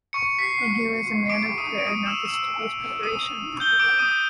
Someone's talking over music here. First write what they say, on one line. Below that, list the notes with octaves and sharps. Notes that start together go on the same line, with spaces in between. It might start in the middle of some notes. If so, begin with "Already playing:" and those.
And he was a man of prayer not of studious preparation.
C#6 C#7
B6
C7
D6 D7
D#6 D#7
D7
D#6 D#7
E6 E7
E6 E7
D#6 D#7
G6 G7
D6 D7
D#6 D#7